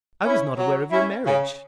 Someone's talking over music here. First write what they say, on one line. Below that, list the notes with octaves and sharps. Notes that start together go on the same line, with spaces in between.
"I was not aware of your marriage."
C#4 E4
F#3
C#4 E4
C#3